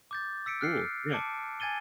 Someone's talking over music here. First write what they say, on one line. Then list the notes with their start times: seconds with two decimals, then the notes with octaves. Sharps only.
Cool, yeah.
0.11 D6 G6 A6
0.46 E6 B6 C#7 D7
0.61 F6 F#6 C7 C#7
1.12 A5 D6 C#7 D7
1.60 G#5 G#6 A6 D#7 G7